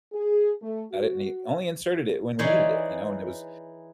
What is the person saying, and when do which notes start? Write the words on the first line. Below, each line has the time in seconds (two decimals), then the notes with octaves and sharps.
at it, and he only inserted it when we needed it, you know, and it was
0.13 G#4
0.62 A3
0.92 F#4
2.39 E3 D#4 G#4 C#5 D5 C6